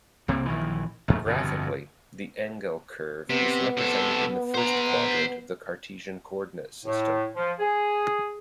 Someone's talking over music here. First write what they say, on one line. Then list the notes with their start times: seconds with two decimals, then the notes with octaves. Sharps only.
Graphically, the Engel curve is represented in the first-quadrant of the Cartesian coordinate system.
0.28 C2 C3 A#3
0.45 A#1 D#3 E3
1.08 A#1 F#2 A3
1.26 G1 F2 G#2 B2
3.30 C3 B3
3.77 C3 A4
4.54 C5 A#5
6.85 A2
7.36 F3
7.60 G#4